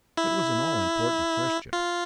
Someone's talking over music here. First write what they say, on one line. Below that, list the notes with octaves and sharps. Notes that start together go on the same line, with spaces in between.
It was an all-important question.
E4
F4